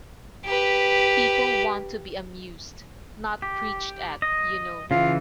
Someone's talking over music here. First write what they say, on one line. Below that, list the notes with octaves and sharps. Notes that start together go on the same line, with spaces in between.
People want to be amused, not preached at, you know.
G4 B4
G4
D#5
C#3 E3 F4